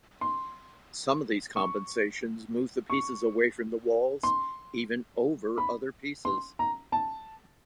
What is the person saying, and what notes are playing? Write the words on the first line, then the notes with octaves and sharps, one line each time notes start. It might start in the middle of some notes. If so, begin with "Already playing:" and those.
Some of these compensations move the pieces away from walls even "over" other pieces.
C6
C#6
C#6
C6
B5
C6
A#5
A5